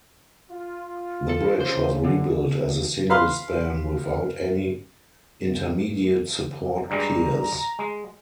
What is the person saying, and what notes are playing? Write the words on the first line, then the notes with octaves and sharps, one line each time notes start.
The bridge was rebuilt as a single span without any intermediate support piers.
F4
A4
C#3 C#4 C5
D3
B4 F5 C6
G2 G3 G#3 A#5
G#3